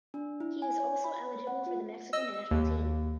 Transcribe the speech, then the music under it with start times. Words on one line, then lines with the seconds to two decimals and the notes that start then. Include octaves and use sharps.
He is also eligible for the Mexico national team.
0.14 D4
0.40 E4
0.62 G#5
0.80 C#5
1.04 B5
1.47 F#5
1.66 F4
2.13 D#5 E6
2.51 D#2